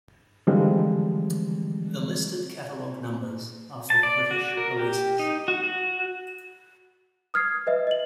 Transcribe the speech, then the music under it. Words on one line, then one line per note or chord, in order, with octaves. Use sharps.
The listed catalog numbers are for the British releases.
D3 E3 F3 G3 G#3 C4
A5
D5
F#4
A#4
G4
D#4
F#4
F#4
D#6 F6 G#6 C7
B4 D#5 E5
D#5 F#7